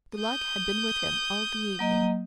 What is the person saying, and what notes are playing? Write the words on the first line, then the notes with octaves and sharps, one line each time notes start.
The luck had been with him all the evening.
D#6 G6
F#3 A#3 D#5